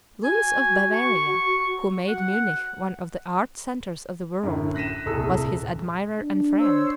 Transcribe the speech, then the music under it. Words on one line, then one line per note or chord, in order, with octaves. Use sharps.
Louis of Bavaria, who made Munich one of the art centres of the world, was his admirer and friend.
F#4 G#5
C#6
F#5
F#2 A2 D3
F#6 A#6 B6 D#7 E7
D#1 C2 A2 G#4 A4 E6
D4
C5 C#5 E6